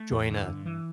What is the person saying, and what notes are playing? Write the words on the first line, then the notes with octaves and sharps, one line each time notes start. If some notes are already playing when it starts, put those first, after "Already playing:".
join a
Already playing: A3
E2
D3
G2
E3